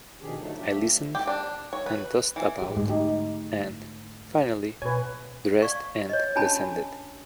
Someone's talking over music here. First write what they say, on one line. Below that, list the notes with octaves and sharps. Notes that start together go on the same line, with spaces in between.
I listened, and tossed about, and, finally, dressed and descended.
B2 D#3 F3 D4 G4 G#4
D3 F3 F#3 A3 D4 D#4
F3 A3 D4 G4 E5
G4
D4
C#5
B4
E3
A1 F3 G4
G#2 D3 A3
D#4 G4
B2 B4 C#5 G#5
D5 F5 C#6
C#5 D#5
C#4 D4 G4 G#5 A5 B5